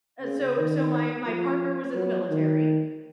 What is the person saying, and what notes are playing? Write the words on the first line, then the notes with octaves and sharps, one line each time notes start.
uh, so so my my partner was in the military
C#3
D#3
F3
F#3
D#3